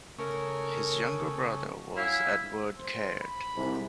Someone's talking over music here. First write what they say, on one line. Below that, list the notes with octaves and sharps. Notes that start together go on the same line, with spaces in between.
His younger brother was Edward Caird.
C#3 A3 C#4 A#4 C#5
F#3 E4 E5 F5 G#5
C5
B5
C2 G#2 C3